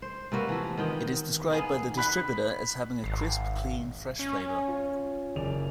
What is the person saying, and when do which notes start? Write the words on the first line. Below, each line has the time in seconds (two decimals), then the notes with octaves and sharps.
It is described by the distributor as having "a crisp, clean, fresh flavour".
0.02 C5
0.32 C3 A#3 F#4 B4
0.49 E3 F3
0.77 D#3 B3 G5
1.50 D#3 A#3 B3 G#4
1.97 B5 F#6 B6
3.04 G#1 C7
4.19 C#4
4.68 F4 C#5
5.36 F#1 D5 F7